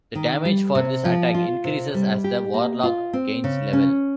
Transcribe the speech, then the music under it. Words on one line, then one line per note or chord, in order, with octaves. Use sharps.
The damage for this attack increases as the warlock gains levels.
D#3
G3
C3
F3
F4
C3
G3
G4
A#3
F4
C4
C#3
C#4